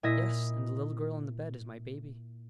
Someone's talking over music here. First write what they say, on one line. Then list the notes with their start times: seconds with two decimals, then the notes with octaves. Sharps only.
"Yes, and the little girl in the bed is my baby."
0.03 A#2 E4 D#5 A#6 B6